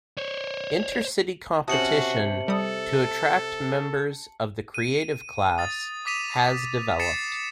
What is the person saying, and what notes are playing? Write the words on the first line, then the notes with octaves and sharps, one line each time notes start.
Inter-city competition to attract members of the Creative Class has developed.
C5 C#5
C3 C#4 F#4 C5 A5 D#6 C#7 F#7
G3 A4 D#6
D#7
D#6 A6
D6 D#6 B6 D#7 F7
A6 C7 C#7 E7